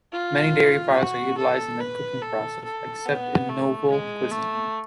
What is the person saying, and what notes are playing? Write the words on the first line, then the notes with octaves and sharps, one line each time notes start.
Many dairy products are utilized in the cooking process, except in nouvelle cuisine.
F4
F#4
A4
B4
A4
A4
B3
A3
G#3
A3